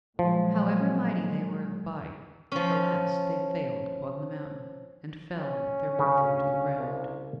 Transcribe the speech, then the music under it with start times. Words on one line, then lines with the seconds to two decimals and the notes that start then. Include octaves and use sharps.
However mighty they were of body, at the last they failed upon the mountain, and fell with their burthen to the ground.
0.19 A#2 F3 F#3 G#3
2.52 F3 C#4
5.35 C#4
5.99 D2 C#3 F5
6.79 C2